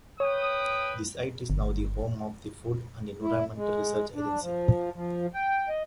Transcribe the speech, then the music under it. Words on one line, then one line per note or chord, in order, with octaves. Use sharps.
The site is now the home of The Food and Environment Research Agency.
B4 C#5 G5 D#6
G1
E4
G#3
D4
F3
F3
G5
D#5